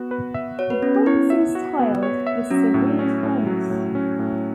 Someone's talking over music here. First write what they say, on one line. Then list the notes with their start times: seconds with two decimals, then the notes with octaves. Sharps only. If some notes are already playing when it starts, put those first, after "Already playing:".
The Prince is styled "His Serene Highness".
Already playing: B3 F#4
0.11 B4
0.34 E5
0.59 F#4 C#5
0.70 B4
0.82 B3 C#4
0.95 C#4
1.06 E4 C#5
1.30 E5
1.55 F#4
1.79 B3
2.03 C#5
2.27 E5
2.51 F#3 C#4
2.74 A2
2.99 C#4
3.23 A2
3.47 F#3
3.70 A2
3.95 C#4
4.19 A2